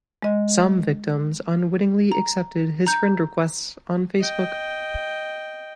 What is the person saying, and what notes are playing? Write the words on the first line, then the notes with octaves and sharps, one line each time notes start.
Some victims unwittingly accepted his friend requests on Facebook.
G#3 D#5
A#5
A#5 G6
D#5 G5